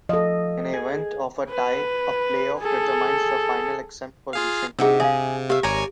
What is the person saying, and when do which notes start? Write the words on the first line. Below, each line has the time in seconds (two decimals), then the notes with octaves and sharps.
In the event of a tie, a playoff determines the final exempt position.
0.09 F3 A4 D#5
0.74 G#4
1.49 B4
2.59 G#4 A4
4.33 F4 G#4 F5
4.79 C3 D4 D#4 F#4 G#4 E5
5.00 G#4 E5 F5
5.50 G4 E5 F5
5.63 G#1 A#4 C#5 D5 G#5 A#5